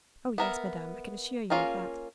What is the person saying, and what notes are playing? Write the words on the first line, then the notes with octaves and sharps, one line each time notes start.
"Oh, yes, madame, I can assure you of that."
B3 A#4 E5
A#3 C#4 F4 G#4 A#4